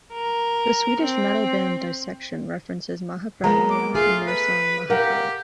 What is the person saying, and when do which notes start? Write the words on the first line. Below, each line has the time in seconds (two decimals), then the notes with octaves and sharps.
The Swedish metal band, Dissection, references "Mahapralaya" in their song, "Maha Kali".
0.14 A#4
1.01 C4
3.44 G#3 A#3 B3 A#5
3.70 D6
3.94 A3 F4 G#4
4.27 B4
4.90 G4 A#4 F5 F#5